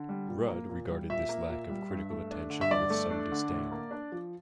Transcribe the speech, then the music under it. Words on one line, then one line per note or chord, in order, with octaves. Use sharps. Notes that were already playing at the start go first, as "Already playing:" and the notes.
Rudd regarded this lack of critical attention with some disdain.
Already playing: D3
G3
A#2
A#3
A#2
G3
A#2 E5
A#3
A#2
G3
G2
A3
D4
D3
E5
G2 D5
A3
D4
D3
A2
A#3
D4
F3